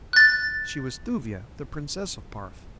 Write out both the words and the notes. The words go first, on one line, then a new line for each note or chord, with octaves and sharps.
She was Thuvia, the Princess of Ptarth.
F#6 A6